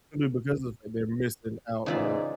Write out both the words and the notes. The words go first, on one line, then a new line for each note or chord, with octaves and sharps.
simply because of the fact they're missing out on,
G#2 C#3 E3 D#4 F4 D5 E5